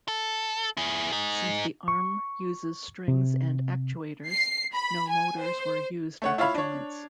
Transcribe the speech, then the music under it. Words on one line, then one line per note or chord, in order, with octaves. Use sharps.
Since the arm uses strings and actuators, no motors were used at the joints.
A4
E4 G#4
D#4 G#4
C#6
C3
C7
B5
G#5
C5
A3 C#5 F#5
E4 F4 C#5 F5 B5
D4 C#5